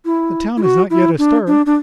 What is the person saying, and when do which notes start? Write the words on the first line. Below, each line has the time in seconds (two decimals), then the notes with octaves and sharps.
"The town is not yet astir."
0.05 E4
0.57 E4
0.63 F#4
0.90 E4
1.18 D4
1.47 D4
1.66 D4